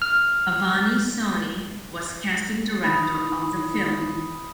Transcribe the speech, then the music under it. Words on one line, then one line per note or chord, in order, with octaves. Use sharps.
Avani Soni was casting director of the film.
F6
D#3 E3 B5 D#6